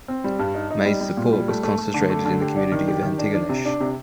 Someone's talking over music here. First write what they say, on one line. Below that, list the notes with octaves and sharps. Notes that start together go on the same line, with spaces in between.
May's support was concentrated in the community of Antigonish.
C4
G3
G2
D#4
D#4
G3
G3
A#2
G3
A3
A3
A3
D3
A3
D3
G4
D4
D#3
G4
D#3
D4
D4
C3
D4
C3